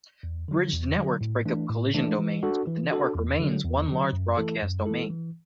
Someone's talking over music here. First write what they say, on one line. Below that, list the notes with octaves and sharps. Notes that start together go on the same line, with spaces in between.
Bridged networks break up collision domains, but the network remains one large broadcast domain.
E2
D3 F#3
E2
D3 F#3
A2
E3 A3 D4
A2
E3 A3 D4
E3
D4 F#4 A4
E3
D4 F#4 A4
E2
D3 F#3
E2
D3 F#3
F#2
E3 A3 E4 A4
F#2
E3 A3 E4 A4
E3